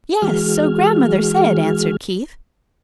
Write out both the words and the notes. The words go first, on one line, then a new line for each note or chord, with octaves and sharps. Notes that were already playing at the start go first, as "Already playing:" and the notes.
"Yes, so grandmother said," answered Keith.
E3 G#3 F#4 G#4 F6 G#6